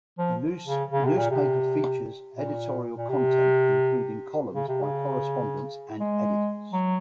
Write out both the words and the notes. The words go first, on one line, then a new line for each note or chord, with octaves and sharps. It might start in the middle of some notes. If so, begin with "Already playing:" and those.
The newspaper features editorial content including columns by correspondents and editors.
F3
C#3
C#3
C3
A#2
C3
A#2
A#2
C3
C#3
C3
C#3
G#3
F#3